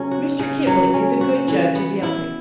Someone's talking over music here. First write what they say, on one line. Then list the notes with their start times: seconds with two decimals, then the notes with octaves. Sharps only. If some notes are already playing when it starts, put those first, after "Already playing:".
Mr. Kipling is a good judge of yelping.
Already playing: C#3 F#3 C#4
0.11 F#4
0.39 C#3
0.67 F#3
0.94 C#4
1.21 F#4
1.48 E3
1.75 B3
2.03 E4